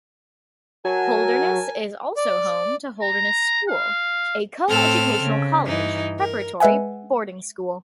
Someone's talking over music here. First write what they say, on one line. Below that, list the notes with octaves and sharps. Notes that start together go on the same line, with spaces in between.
Holderness is also home to Holderness School, a co-educational college-preparatory boarding school.
F#3 A#4 G#5 A5
D5
A#5
F5
A2 C4 A4 F6
C#3
G2 E3 D#4
A#4
G#3 B4 E5 F#5 G#5